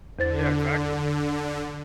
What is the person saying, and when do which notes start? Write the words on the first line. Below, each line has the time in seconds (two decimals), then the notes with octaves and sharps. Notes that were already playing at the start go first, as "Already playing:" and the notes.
Yeah, exactly.
0.19 E2 D3 C5 A6